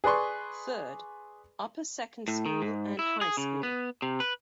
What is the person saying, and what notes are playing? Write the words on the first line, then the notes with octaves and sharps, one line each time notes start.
Third: upper second school and high school.
G#4 B4 D5 C6 C#6
A2
D#3
G#2
E4
G#4
C#3
B3
C3
B4